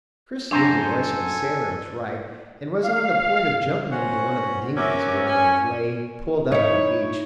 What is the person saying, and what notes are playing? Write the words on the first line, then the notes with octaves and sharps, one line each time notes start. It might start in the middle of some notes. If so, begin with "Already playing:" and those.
Chris knew the voice of the sailor was right, and was on the point of jumping into one of the dinghies, where they lay pulled up on the beach.
F#2 D4 A4 C5 G#5 A#5
F5
C#4 F#4 C5 F#5
C#4 F#4 A#4 E5 D6
C#5 G#5
D#4 E4 C#5